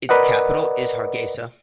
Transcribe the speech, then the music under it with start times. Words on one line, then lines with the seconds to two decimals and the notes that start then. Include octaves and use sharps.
Its capital is Hargeisa.
0.09 A#4 B4 D5 D#5 F#5